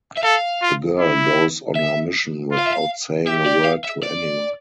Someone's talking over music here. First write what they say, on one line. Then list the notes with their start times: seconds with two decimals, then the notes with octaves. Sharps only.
The girl goes on her mission without saying a word to anyone.
0.18 E5
0.23 A4 F5
0.62 F4
0.99 E4
1.76 E5
2.51 F4
2.59 F5
2.67 E5
2.73 F5
3.27 G4 E5
3.46 D5
3.65 F5
3.85 E5
4.03 D5